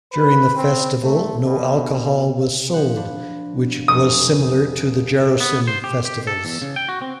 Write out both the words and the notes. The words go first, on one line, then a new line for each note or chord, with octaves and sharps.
During the festival no alcohol was sold, which was similar to the Jarocin festivals.
B4
C4
A3
B2
F3 F#5
D4 B5
F1 C#6 D#6
B3
C5
G4
G4
A4
E2
C#3
G5
F#4
C4